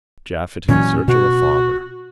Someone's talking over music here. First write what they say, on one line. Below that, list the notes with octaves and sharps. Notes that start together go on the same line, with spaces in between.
Japhet in search of a father!
A#2 E3 F#3 C#4
B2 F#4